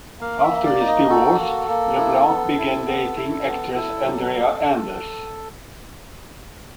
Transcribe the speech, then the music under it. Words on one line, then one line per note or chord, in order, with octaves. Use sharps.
After his divorce, LeBlanc began dating actress Andrea Anders.
A#3 F5
E5
A#3
D5
D#4
D#5
F#4 A4
A#3
A#3
E4
B3
E4
B3
E4
B3
E4 A4
F#3